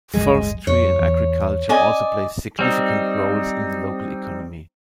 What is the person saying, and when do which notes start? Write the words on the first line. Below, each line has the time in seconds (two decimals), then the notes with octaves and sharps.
Forestry and agriculture also play significant roles in the local economy.
0.13 D1 G1 F#3 G#3
0.67 F2 C#5
0.99 E2
1.69 C#4 D5 D#5 G#5
2.59 G3 C4 D#4